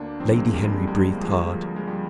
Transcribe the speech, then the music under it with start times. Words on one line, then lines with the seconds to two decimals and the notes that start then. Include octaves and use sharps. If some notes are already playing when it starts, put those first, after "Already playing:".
Lady Henry breathed hard.
Already playing: D2 A#3 D4
0.20 F3 C4
0.28 A#3
0.37 G#3 C4
0.53 D2 G3
0.63 G#3
0.72 G3
0.87 D2 G#3
1.15 A#3
1.21 F3 G#3
1.54 D2
1.76 G#3
1.87 F3 G3